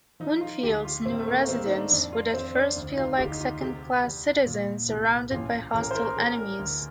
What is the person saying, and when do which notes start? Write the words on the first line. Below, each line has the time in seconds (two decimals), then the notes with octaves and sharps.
Winfield's new residents would at first feel like second-class citizens, surrounded by hostile enemies.
0.20 F3 D#4
0.41 F4
0.63 D2 G4
0.85 F4
1.06 A2 C4
1.19 A3
1.27 A#3
1.41 A#3
1.49 G3 C4
1.65 D#4
1.70 D4
1.91 F2 D4
2.13 F4
2.33 F2 C4
2.55 D4
2.76 D2
2.92 D#4
2.97 F4
3.18 D2 G4
3.31 D#4
3.40 F4
3.61 C3 G4
4.04 G3
4.46 A#2
4.88 C2
5.31 A1 F4
5.74 A1 A#4
5.91 C5
5.95 A#4
6.17 G3 A#4
6.38 A#4
6.59 D2